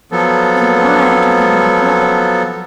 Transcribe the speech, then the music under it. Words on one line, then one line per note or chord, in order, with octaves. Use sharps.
Then why do they not grow?
F3 F#3 B3 A4